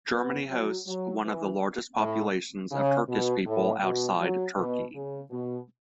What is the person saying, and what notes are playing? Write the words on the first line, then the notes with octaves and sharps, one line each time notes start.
Germany hosts one of the largest populations of Turkish people outside Turkey.
B3
F#3
F#3
E3
A2
C#3
B2
A2
B2
F#3
B2
C#3
B2